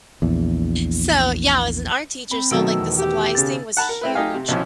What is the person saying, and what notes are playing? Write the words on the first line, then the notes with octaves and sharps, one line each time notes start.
So, yeah, I was an art teacher, so, like, the supplies thing was huge
A#1 E2
C4 B5
B2 D#3 F#3 A3 E6 D7
E2
G4
C#3 A6
F#5 A5 B5
A#4
C4 E4 B4
A3 D#4 G4 F5 G#5
C3
B1 E3 F3 C#4